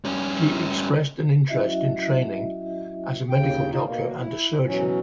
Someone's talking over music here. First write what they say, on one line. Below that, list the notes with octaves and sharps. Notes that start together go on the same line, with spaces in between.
He expressed an interest in training as a medical doctor and a surgeon.
G2 C#4
F#3 C#4 E4 F#4 D#5 E5
D#2 C#3 G5
D#4 F4
B2 A#3
E4
B2 E3 F#3 C#4